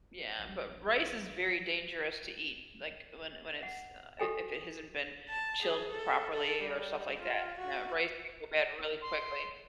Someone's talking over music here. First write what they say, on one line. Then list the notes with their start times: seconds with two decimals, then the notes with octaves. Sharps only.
Yeah, but rice is very dangerous to eat, like, when when it's uh, if it hasn't been chilled properly or stuff like that, no, rice can go bad really quickly.
0.38 A#1
3.63 F#5
4.19 F#4 G4 A4 G5 G#5
5.29 A5
5.62 G#4
5.91 A4
6.33 A4
6.62 G3
7.20 F4
7.58 F#4
9.01 C6